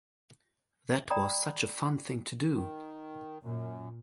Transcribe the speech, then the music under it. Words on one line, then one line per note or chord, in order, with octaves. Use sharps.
That was such a fun thing to do!
D5 G5 A#5 B5 D#6
D#3
F#2 A#2